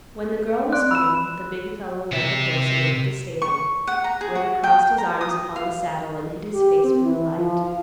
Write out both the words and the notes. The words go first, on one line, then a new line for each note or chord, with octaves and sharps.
When the girl was gone, the big fellow led the horse away to the stable, where he crossed his arms upon the saddle and hid his face from the light.
C4 D5 F#6
B5 E6 E7
C3 E5
C#6
F#5
A#5
G#4
F#4
G5
A#5
D#6
F5
G4
C4
E3
F3
F5